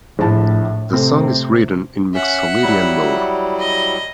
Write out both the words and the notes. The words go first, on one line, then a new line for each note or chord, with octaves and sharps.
The song is written in Mixolydian mode.
A#1 A2 E4 A5
C3 A3 C4
C#4 E5 F#5
F#3 G3 E4
D#5